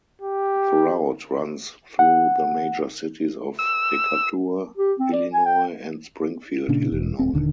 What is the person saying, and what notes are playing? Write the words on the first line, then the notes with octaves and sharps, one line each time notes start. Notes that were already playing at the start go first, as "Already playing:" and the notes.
The route runs through the major cities of Decatur, Illinois and Springfield, Illinois.
G4
F#5
E6
G4
C4
D5
G#5
G5
A#2 C#3 D4
E1
D1 G#1 C4
D#1 D3 D#3